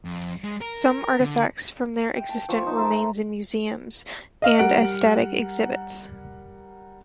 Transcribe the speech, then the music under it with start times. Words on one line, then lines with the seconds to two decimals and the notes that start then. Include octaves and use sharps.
Some artifacts from their existence remains in museums and as static exhibits.
0.05 F2
0.44 G#3
0.61 A#4
1.20 D3
2.15 G5
2.29 A5
2.49 F3 C#6
2.64 D#4 C5
2.77 A#4 C5 E5 A5
2.91 A#5
4.42 D#5 F5 F6
4.59 G3 A#4 F#5 D7